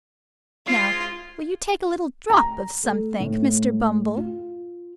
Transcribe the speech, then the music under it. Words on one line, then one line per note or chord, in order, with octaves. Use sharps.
Now, will you take a little drop of somethink, Mr. Bumble?'
G#3 F4 G#4 C5
A#5
A3
A2
F4